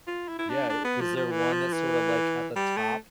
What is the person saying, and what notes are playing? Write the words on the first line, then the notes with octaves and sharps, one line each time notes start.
Yeah, i is there one that's sorta, like, at the top
F4
E4
E4
D4
D4
B3
F3
F3
E3
F3
E3
G3
A3